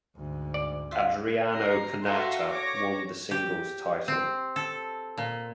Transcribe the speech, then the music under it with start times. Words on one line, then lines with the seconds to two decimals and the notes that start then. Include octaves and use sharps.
Adriano Panatta won the singles title.
0.16 D2 G#2
0.54 D5
0.91 F4 E5 F5
1.54 A#5 C7
2.03 F#4 A4 E5 F5 A#5 C6
2.51 C#5 D6 A#6
3.31 G4
4.08 C4
4.56 A4
5.18 A#2